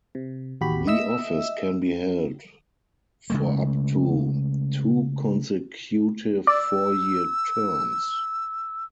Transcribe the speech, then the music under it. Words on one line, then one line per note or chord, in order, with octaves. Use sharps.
The office can be held for up to two consecutive four-year terms.
C3
A1 D#2 F#4 G4 B5
D#5 E5 E6
C#3 G#3 A3
D5 E6